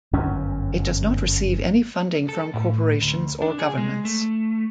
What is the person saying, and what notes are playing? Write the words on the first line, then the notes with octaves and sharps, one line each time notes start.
It does not receive any funding from corporations or governments.
G1 F#2 C#4
A4
A2
D2
D4
G#4
G#3
A3